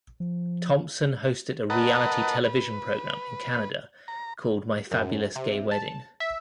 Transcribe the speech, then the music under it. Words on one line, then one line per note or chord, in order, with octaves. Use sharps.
Thompson hosted a reality television program in Canada called "My Fabulous Gay Wedding".
F3
A#4 B4 D#5 F#5 A5
B4
A#5
F#2
C3
A5
E5